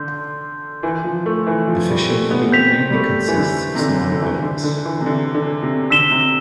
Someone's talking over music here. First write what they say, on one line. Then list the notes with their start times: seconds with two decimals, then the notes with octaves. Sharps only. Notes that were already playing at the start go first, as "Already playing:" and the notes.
The fishing fleet mainly consists of small boats.
Already playing: D3 C6 G6
0.83 E3
1.04 F3
1.26 A3
1.47 E3
1.68 F3
1.89 G3
2.10 A3
2.31 B3
2.52 C4 G6 B6 F7
2.90 G3
2.94 A3
3.28 E3
3.37 D3
3.75 C3
3.79 D3
4.12 D3
4.22 E3
4.43 D3
4.64 D3
4.85 E3
5.01 C3
5.06 D3
5.34 D3
5.63 C3
5.90 D3 E6 B6 E7 G7
6.12 C3